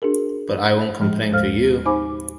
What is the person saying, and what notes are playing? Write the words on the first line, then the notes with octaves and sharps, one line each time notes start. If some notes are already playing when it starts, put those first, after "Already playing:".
But I won’t complain to you!
D4 F#4 G#4 A#4
A2 F3 G#3
D#2 G#3 A4 C5 F5 F6
D#4 C5 F5 G#5 B5 D6